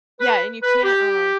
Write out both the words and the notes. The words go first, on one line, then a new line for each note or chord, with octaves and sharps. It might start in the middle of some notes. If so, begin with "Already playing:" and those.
Yeah, and you can't, uh
B4
B4
G4